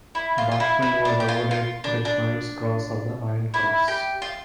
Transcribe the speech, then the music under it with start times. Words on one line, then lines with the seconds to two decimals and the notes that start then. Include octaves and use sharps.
Barkmann was awarded the Knight's Cross of the Iron Cross.
0.15 E4
0.38 F4
0.51 F4
0.60 E4
0.82 E4
1.05 D4
1.20 G4
1.28 F4
1.51 F4
1.84 D4
2.05 D4
3.54 E4
3.88 G4
4.22 F4